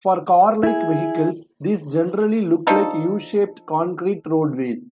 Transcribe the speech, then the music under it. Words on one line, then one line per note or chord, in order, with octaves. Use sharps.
For car-like vehicles these generally look like U-shaped concrete roadways.
E4 G#4
F3 D4 D#4 A4